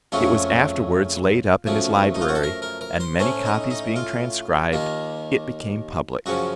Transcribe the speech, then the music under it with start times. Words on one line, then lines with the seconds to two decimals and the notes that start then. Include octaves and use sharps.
It was afterwards laid up in his library, and many copies being transcribed, it became public.
0.12 F2 C#3 F#3 A3 C#4 F4
1.67 F#2 F3 A3
2.14 D#4
2.21 F4
2.28 F#4
2.35 A4
2.43 A#4
2.62 A#4
2.81 A#4
3.00 C5
3.19 A2 A3 C#4 C5
3.45 D#4
3.70 D#4
3.96 F4
4.73 D#2 D#3 A#3
6.26 F#2 C#3 F3 F#4